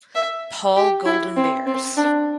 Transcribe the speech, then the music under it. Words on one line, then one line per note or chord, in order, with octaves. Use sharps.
Paul Golden Bears.
E5
G4
E4
C4
C4
D4